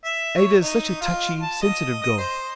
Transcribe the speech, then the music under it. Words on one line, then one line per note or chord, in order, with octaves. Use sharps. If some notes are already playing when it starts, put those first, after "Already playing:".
Ada is such a touchy, sensitive girl.
E5
C#5
D#4
F4
A5
D#5
D#5
C5